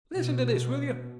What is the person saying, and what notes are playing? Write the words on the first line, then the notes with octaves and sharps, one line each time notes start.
Listen to this, will you?
B2